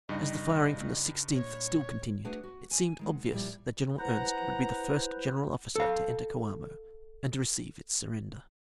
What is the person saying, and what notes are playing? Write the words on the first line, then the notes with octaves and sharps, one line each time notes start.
As the firing from the Sixteenth still continued, it seemed obvious that General Ernst would be the first general officer to enter Coamo, and to receive its surrender.
G2 C#3 G3 D#4 D#5
A#2 C#5
A3 D4 F#4 G#4 B4 F#5
F#4
G#5
D#3 G#3 F#5
A#2 F3 G3 E4 G4 D5
E4 B4 C5 F#5 A#5
A4 F5